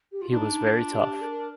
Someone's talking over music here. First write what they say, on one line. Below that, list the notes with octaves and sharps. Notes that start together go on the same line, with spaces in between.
He was very tough.
G4
F4
D4 D#4
D#4
F4
G4
A#4